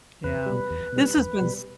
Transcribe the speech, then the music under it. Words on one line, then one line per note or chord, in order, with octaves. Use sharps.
Yeah, this has been s
E2 B4
B2 G3
E2
B2 G3
E2
B2 G3